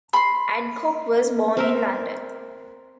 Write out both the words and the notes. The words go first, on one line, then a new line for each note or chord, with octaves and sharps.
Adcock was born in London.
B5 C6
C4 A#4 E5